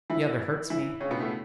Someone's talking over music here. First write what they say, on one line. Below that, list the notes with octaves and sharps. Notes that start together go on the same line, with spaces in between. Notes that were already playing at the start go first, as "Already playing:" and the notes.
"The other hurts me."
E3 E4
E3 E4
C#3 C#4
B2 B3
A2 A3